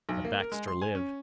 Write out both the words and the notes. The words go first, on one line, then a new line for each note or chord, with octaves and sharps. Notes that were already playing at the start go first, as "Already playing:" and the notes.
But Baxter lived.
B1
A#3
A#4
G#3
C6
G#5
C#4